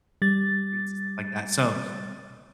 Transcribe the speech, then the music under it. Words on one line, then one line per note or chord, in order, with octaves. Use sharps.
streets, and stuff like that. So,
G3 A6